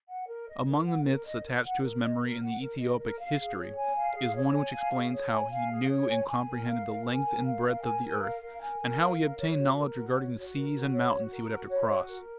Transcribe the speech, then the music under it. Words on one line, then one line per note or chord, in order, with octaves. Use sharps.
Among the myths attached to his memory in the Ethiopic "history" is one which explains how "he knew and comprehended the length and breadth of the earth", and how he obtained knowledge regarding the seas and mountains he would have to cross.
F#5
A#4
D#5
A#4
F#5
A#4
D#5
A#4
F#5
A#4
D#5
A#4
F#5
A#4
D#5
A#4
F5
G#4
C#5
G#5
F5
G#4
C#5
G#5
F5
G#4
C#5
G#5
F5
G#4
C#5
G#5
G#5
A#4
F5
A#4
G#5
A#4
F5
A#4
G#5
A#4
F5
A#4
G#5
A#4
F5
A#4
C#5
F#4
A#4
F#4
C#5
F#4
A#4
F#4
C#5
F#4
A#4
F#4
C#5
F#4
A#4